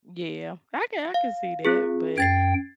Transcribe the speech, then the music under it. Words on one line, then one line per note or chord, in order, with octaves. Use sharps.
Yeah. I can I can see that, but
F5
C4 F4 G#4
F#2 G5 G#6 A6 C7